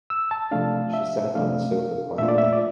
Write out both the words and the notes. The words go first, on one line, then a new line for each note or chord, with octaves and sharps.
She sat on the sofa quietly.
E6
A5
C3 F3 A3 D4 F5
E5
C3 F3 A3 D4 F5
A#2 A3 D4 F4 E5
D5
E5
D5